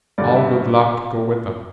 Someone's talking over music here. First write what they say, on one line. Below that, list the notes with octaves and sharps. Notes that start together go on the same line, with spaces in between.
All good luck go with them.
G2 D3 D5
E5